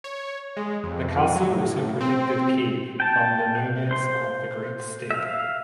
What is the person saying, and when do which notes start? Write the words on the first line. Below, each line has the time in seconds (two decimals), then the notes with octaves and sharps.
The castle also protected Kyiv from the nomads of the Great Steppe.
0.04 C#5
0.57 G#3
0.83 F2
1.36 F#3
1.51 A2
2.01 C4
3.00 G5 A5
3.91 C5 C6
5.11 E5 F5